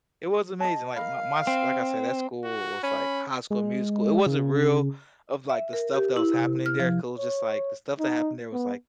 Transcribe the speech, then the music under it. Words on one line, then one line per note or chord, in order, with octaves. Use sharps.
It was amazing. Like, my my s like I said, that school was, like, High School Musical. It wasn't real of, like, the stuff that was happening there 'cause it was just, like, the stuff that happened there was, like,
D#5 A5
A#4 D#5 F5 B5
C4
F#4
C#4 B5
G#3
C#3
E5
A#4
G4
E4
C3
F6
F3
C#5
D#4
B3